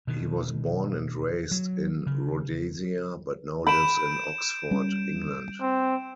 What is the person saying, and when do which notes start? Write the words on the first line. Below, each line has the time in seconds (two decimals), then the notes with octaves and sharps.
He was born and raised in Rhodesia but now lives in Oxford, England.
0.07 B2 D#3
1.51 F#3
2.07 C#3
3.67 B5 G6 D7 E7
4.71 G3 C#4
5.61 C4